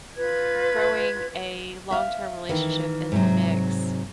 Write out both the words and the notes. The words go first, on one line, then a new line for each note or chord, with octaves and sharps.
throwing a long-term relationship into the mix,
F4 B4 G#6
E5 F5
D#3 E3
G#2 C3 F#3